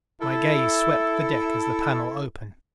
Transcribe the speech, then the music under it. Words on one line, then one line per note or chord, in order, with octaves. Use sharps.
My gaze swept the deck as the panel opened.
E4 A4